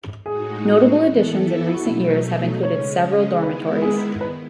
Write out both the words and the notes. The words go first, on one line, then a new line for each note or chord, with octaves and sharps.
Notable additions in recent years have included several dormitories.
A2 G#3 D#4 F#4 G#4
E3 B3 E4 A4
F#4
B2 F#3 A3 D#4 E4
C#3 G#3 C#4 C#5
D#3 G#3 B3 E4 B4
G#4
B4